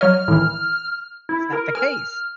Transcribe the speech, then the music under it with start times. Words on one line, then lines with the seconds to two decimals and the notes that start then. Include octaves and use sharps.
it's not the case.
0.01 F#3 C#5 D#5 F6
0.28 A2 D#3 E3
1.29 E4
1.53 A#4
1.75 G#5 F6